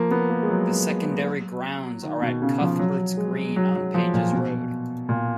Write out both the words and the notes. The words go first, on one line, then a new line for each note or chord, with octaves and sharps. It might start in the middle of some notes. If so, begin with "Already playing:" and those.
The secondary grounds are at Cuthberts Green on Pages Road.
Already playing: F3 A#3
B3
A#3
G#3
F#3
D#3
B2
C#3
F3
F#3
G#3
F#3
F#3
F3
A#2
B2
A#2